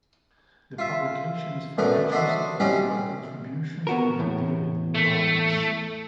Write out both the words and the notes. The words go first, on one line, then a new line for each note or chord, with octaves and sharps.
The publication is financially supported by contributions from the D-Lib Alliance.
F4 E5
F#2 D3 A3 B3 D#4
D4 D#4 F#4 C5 D#5 E5
F#3 G3 C4 C#4 D#4 E4
B3 F#4 A#4
E2 A2
A3